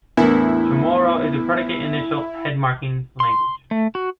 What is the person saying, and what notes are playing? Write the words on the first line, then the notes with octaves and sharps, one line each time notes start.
Chamorro is a predicate-initial, head-marking language.
E2 A2 B3 D4 E4 A#4 G#5
C6
A3
F#4